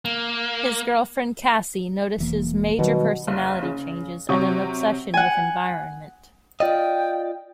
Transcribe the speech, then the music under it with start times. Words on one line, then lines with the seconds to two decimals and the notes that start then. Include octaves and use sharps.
His girlfriend Cassy notices major personality changes and an obsession with environment.
0.05 A#3
2.18 E1 E3 A#3
2.79 B2 D#3 F#3 G3
3.27 F#1
3.63 C#3
4.29 C3 F#3 F#4 C#6
5.14 F#5 G#5
6.60 F4 D5 D#5 G5